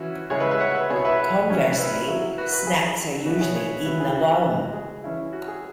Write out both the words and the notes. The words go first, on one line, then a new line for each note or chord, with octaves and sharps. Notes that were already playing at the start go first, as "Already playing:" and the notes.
Conversely, snacks are usually eaten alone.
Already playing: E3 C#4 E4 F#4
C#3 G#3 E4 G#4 C#5
B4 E5
B4 E5
C#5 F#5
B4 E5
B2 B3 E4 G#4 C#5
B4 E5
B4 E5
F#3 C#4 E4
B4 E5
F#3 E4
F#4 B4
F#4 B4
F#3 E4 G#4
B2 B3 E4 F#4 B4
G#4 C#5
G#4 C#5
E3 B3 E4 F#4 B4
G#4
F#4
C#3 G#3 E4
G#4
E3 C#4 E4
F#4
G#4